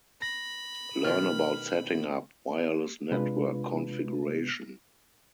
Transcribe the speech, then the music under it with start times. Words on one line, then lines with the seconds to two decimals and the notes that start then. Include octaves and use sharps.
Learn about setting up wireless network configuration.
0.22 B5 A#6
1.04 B2 D#3 F6
3.11 C3 G#3 D4 F4 B4